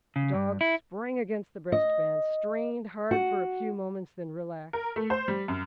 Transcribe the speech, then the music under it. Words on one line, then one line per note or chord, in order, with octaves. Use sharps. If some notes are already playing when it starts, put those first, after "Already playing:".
The dogs sprang against the breast-bands, strained hard for a few moments, then relaxed.
C#3
G2
E4
D#5
F#4
A#4
A3
C5
G3
F#2